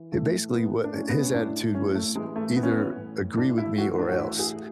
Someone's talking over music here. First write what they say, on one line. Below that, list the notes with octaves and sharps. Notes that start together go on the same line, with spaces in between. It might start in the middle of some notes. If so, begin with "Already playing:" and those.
He basically wa uh, his attitude was either agree with me or else,
Already playing: E3
A2 A3
A2 B3
D4
A2 C#4
B3
C#4
A2 D4
A2 C#4
A3
E3 G#3
A3
E3 B3
C#4
B3
A2
A2 D4
E4
E3 F#4
D4
F#4
A2 E4
G#4